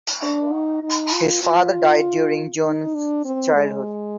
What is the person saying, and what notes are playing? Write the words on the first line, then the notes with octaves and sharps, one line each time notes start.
His father died during Jones's childhood.
D4
D#4
D#4
F4
F4
D#4
D4
C4
G#3